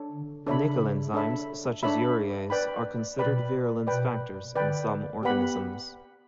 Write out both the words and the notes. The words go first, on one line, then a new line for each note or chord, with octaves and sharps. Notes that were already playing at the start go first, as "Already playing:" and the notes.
Nickel enzymes such as urease are considered virulence factors in some organisms.
Already playing: D4 A4 C#5
D3
C#3 D4 A4 C#5 E5 B5
D4 A4 C#5 E5 B5
D4 A4 C#5 E5 B5
B4 D5 G5 B5
B2 B4 D5 G5 B5
B2 B4 D5 G5 B5
D3 B4 D5 G5 B5
B3 G4 B4 F#5 B5